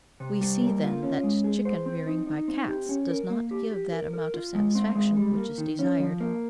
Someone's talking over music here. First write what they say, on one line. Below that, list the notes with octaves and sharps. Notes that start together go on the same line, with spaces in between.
We see, then, that chicken-rearing by cats does not give that amount of satisfaction which is desired.
C3
G3
A#3
F4
C#4
G#3
G#4
C5
C4
D#4
D#4
C4
G4
C#4
A#4
A#3
G4
G4
A#4
A#4
F4
G#3
C4
G#3
G3
A#3
D#3
C#4
F3
A#3